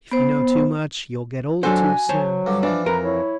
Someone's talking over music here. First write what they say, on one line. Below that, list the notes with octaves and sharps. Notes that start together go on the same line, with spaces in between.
"If you know too much, you'll get old too soon."
B3 C5
F#3 D4 F#4 A4 C5 G#5
F#3 C5 C#5 A5
G2 D3 D6
E3 F3 D4 D6
F2 A#4 B4 A#5
E4 C#5